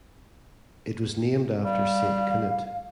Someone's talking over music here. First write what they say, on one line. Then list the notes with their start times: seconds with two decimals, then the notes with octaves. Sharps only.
It was named after Saint Canute.
1.63 G3 F5